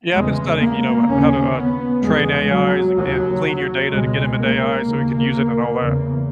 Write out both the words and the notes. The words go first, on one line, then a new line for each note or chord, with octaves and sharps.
Yeah, I've been studying, you know, h how to, uh, train AIs, and and clean your data to get 'em into AI so you can use it and all that.
E2 C#3 G#3
A#3
D#2 C#3 C#4
B3
E2 C#3 G#3
F#3
D#2 C#3 F#3
C#2 B2 G#3
A#3
D#2 C#3
E2 C#3